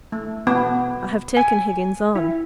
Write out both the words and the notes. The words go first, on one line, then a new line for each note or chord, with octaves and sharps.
I have taken Higgins on.'
A3
B3
G#5
E4